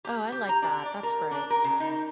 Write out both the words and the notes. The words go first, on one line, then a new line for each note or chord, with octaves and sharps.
Oh, I like that, that's great.
G4
G4
A#5
D4
D5
A#4
D4
A#4
C#3
D#4